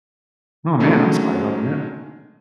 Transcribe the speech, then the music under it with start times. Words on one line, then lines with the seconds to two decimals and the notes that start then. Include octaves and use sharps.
Aw, man, I'm sorry 'bout that.
0.80 D#3 F#3 G#3 A3 C#4 D4